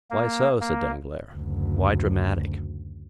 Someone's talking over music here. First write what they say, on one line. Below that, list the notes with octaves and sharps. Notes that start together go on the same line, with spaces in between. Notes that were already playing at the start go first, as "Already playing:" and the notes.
"Why so?" said Danglars; "why dramatic?"
A#3
A#3
F#1 D2